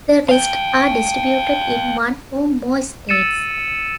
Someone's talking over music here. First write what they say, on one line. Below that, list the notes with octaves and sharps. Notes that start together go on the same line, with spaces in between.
The rest are distributed in one or more states.
F5 G5
E6 A6 C#7 D#7 E7